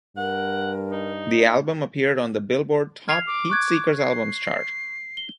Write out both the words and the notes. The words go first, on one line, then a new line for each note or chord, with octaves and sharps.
The album appeared on the "Billboard" Top Heatseekers Albums Chart.
G2 A#4 F#5
D#4
F6 G#6 C7 F7
D6
C#6 F#6 G#6
C7
G7